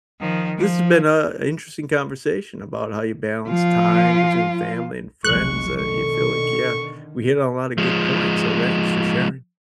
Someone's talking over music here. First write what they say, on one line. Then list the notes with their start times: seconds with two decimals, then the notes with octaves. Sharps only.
this has been a interesting conversation about how you balance time between family and friends. Uh, you feel like yeah, we hit on a lot of good points, so thanks for sharing.
0.20 D#3 F3
0.57 F3
3.48 F3 F4
5.25 F1 B1 G#3 C#6 F#6
5.77 B2 D3 D#3 A4 C#6
7.78 F3 G#3